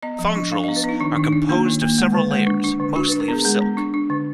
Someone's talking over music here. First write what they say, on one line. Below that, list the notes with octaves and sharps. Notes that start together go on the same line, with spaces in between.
Thongdrels are composed of several layers, mostly of silk.
B3 D#5
F3
D#5
D4
D4 F5
B3 D#5
B4
B3 D#4
D#3 D4
D#3 D4
D#4
D4
A#3 F4
D#3
A#3
G#3
D3
G#3
D4
D4
D3
D4 F#4
D4 B4
A#4
B3 G#4
G#3 G#4
B3
D4
D4
D3